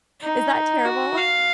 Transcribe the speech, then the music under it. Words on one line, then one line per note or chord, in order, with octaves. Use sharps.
Is that terrible?
D#4
F#4
F5